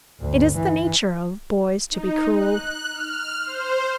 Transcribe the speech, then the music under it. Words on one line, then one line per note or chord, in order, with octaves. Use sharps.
It is the nature of boys to be cruel.
G1 D2
E3
D#4
F#6
F6
C5